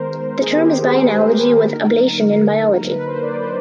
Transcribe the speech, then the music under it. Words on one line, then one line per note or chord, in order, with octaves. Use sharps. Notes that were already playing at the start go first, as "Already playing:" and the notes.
The term is by analogy with ablation in biology.
Already playing: D#3 G#3 B3 A#4 C5
G#4
G4
C5
B4
B4
D3 F#3 A#3 D#4 A#4
B4
C5
D5
C5